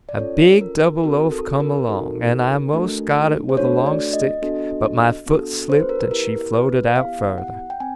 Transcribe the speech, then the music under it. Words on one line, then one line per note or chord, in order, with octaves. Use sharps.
A big double loaf come along, and I most got it with a long stick, but my foot slipped and she floated out further.
D5
C#4 F4 A4 C#5
A#4
C4 D#4 F#4 A4 A#4
A4
A#4
C4 D#4 F#4 A4
A3 D4 F#4 A4
C5
A3 D4 F#4 A4 C#5
D5
D#5
B3 D4 F#4 A4
B3 D4 F#4 A4
C5
B4
A#4
B4
B3 E4 G4 A#4
B4
B3 E4 G4 F5
F#5
G5
C4 G#5